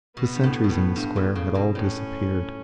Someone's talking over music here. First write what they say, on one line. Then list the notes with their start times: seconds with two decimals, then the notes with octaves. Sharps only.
The sentries in the Square had all disappeared.
0.16 B2 B3
0.35 G2
0.43 A2
0.64 B2
0.69 A2
0.96 G2
1.16 A2
1.35 C#3
1.55 B2
1.75 A2 C#4